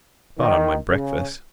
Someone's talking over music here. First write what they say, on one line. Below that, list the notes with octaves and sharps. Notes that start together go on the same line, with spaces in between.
Not on my breakfast.
D#3
C#3